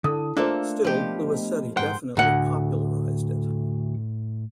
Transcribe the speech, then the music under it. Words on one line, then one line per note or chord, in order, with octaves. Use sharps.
Still, Luisetti definitely popularized it.
D3 E4 A4 A5 D#6
A3 A#3 D4 F4 A4 C5 E5
F3 A3 B3 G4 D#5
G#2 C5 F#5 G5 C6
D2 A2 F#5